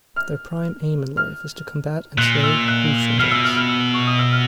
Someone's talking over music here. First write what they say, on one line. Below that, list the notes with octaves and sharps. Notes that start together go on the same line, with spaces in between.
Their prime aim in life is to combat and slay Kulshedras.
F6
F6
A#2 F#6
E6
F#6
B2 F6
E6
F6
F6
E6
C#6
D#6
E6
F6